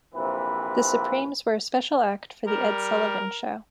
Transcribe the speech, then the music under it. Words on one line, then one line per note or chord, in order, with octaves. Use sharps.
The Supremes were a special act for "The Ed Sullivan Show".
A#1 C3 E3 A#3 B4
G3 A#4